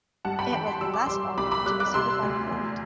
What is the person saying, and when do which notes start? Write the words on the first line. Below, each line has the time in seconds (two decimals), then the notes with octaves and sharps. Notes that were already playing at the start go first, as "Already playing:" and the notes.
It was the last album to be certified Gold.
0.25 G2 F#5 A5
0.39 G5 B5
0.53 E3 G5 B5
0.67 A5 C6
0.81 G3 E6
0.94 D6
1.06 G3 C6 E6
1.37 C2 B5 D6
1.51 B5 D6
1.66 G3 D6 F#6
1.80 D6 F#6
1.94 C3 C6 E6
2.23 D2
2.51 E2